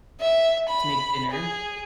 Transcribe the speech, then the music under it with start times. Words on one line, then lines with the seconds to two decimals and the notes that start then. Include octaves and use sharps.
to make dinner,
0.20 E5
0.69 B5
1.31 G#4